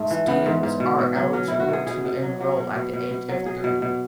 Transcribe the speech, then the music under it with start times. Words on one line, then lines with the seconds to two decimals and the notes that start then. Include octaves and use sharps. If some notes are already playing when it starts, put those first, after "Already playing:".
Students are eligible to enroll at the age of three.
Already playing: G#2 A3
0.11 E3
0.27 E3 B3
0.46 G#2
0.63 G#2
0.80 B2
0.99 B2
1.15 F#3
1.33 F#3 C#4
1.48 B2 E4
1.60 F#4
1.69 B2 G#4
1.87 B2 G#4
2.05 B2
2.22 F#3
2.41 F#3
2.57 B2
2.76 B2
2.94 B2
3.11 B2
3.29 F#3
3.46 F#3 G#4
3.64 B2
3.82 B2